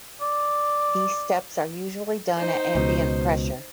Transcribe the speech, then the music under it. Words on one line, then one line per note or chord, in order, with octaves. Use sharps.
These steps are usually done at ambient pressure.
D5
D#4 C5
C#2 B2